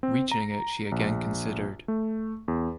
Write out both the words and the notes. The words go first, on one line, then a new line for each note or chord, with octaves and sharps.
Reaching it she again considered.
C4
A#5
A#1
A3
E2